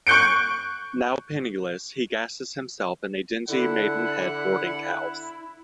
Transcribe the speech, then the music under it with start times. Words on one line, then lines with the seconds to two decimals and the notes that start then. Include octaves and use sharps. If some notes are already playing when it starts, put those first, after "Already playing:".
Now penniless, he gasses himself in a dingy Maidenhead boarding house.
0.07 C#6 F#6 G6 C#7 D7
3.48 D3 E4 F#5